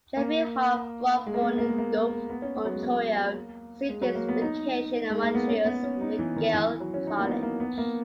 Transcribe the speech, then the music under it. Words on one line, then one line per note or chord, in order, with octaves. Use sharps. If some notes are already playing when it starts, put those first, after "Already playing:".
Jeffry Hall Brock born in Guelph, Ontario received his education at Montreal's McGill College.
A#3
G#3
A#3
B3
A#3
G#3
A#3
B3
C#4
B3
F#3
G#3
A#3
G#3
F#3
A#3
B3
D#4
G#3
A#3
B3
C#4
B3
C#4
D#4
E3
D#3
E3
E3
F#3
C#4
D#4
A#3
B3
A#3
B3
A#3